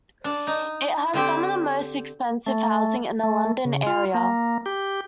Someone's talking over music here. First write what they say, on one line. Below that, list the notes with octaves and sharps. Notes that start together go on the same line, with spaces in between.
It has some of the most expensive housing in the London area.
D4
D#4
D3 C4 G4
A3
A3
C#3
F4
A#3
G4